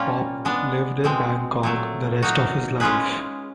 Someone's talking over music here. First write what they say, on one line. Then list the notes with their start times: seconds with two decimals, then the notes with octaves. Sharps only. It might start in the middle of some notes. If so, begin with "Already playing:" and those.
Pop lived in Bangkok the rest of his life.
Already playing: A#2 G3 A#3 C#4 F4
0.45 G#3 B3 D4
1.04 B2 G#3 C4
1.63 A#2 F#3 A3
2.22 F#3 A#3 D#4 F#4
2.80 G#3 C#4 F4 G#4 B4